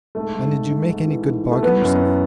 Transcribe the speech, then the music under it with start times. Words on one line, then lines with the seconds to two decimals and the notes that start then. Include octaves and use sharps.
'And did you make any good bargain yourself?'
0.15 G#2 A3
0.34 G#2
0.52 G#2
0.70 G#2
0.89 G#2
1.08 E3
1.26 E3
1.44 E3
1.51 A3
1.63 E3 B3
1.82 F#2
2.00 E3